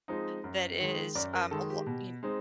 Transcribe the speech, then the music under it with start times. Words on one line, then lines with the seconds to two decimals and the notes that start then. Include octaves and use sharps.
that is, um, a lo y kn
0.08 F3 G#3 C4 D#4
0.44 F#2
0.80 D#3 G#3
1.15 F#2 D5
1.33 A#4
1.51 D#3 G#3 A4
1.70 G4
1.87 B2
2.23 G#3 C4 D#4